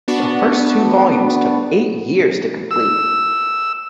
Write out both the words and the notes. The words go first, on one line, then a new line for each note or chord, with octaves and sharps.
The first two volumes took eight years to complete.
B3 D4 F#4
E6